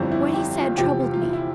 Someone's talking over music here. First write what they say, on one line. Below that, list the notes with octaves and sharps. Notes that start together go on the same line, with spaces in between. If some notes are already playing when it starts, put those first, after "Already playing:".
What he said troubled me.
Already playing: G1 F2 E3 G3 C4
E4
G4
F4
F1 E2 C3 F3 G4
F4
F4
E4
E4